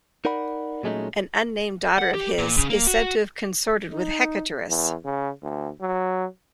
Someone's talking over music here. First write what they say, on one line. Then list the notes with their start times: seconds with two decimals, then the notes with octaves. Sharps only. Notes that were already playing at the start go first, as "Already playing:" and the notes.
An unnamed daughter of his is said to have consorted with Hecaterus.
0.25 D#4 A#4 D5 F#5 B5
0.83 A#2 F#3 G#3 A3 C#4 D#4
1.98 F#5
2.14 G4
2.38 A#2
2.57 C#3
2.70 A#3
2.87 F#4
3.92 D#4
4.69 E2
5.05 C#3
5.42 D2
5.81 F#3